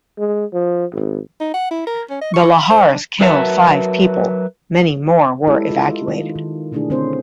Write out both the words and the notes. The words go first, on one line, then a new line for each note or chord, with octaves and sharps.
The lahars killed five people; many more were evacuated.
G#3
F3
G#1
D#4
F#5
E4
A#4
C#4
D#5
C#6
B5
C5
D4
F#3 A#4 B4 E5 F#5 A5
G#3 E4 G4 A4 B4
F4 D#5
D#3 F4
D#3
B2 D3 A3 D4 E4 G#4
D3 C4 C#4 C5